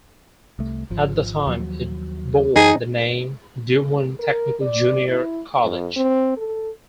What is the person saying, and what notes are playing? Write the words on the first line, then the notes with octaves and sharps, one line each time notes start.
At the time, it bore the name Doowon Technical Junior College.
C2 A3
G#1 F3
D#2 F3 F#3
F#2 E3 D#4 G#4
A#4
D5
E4
F2
C4
A4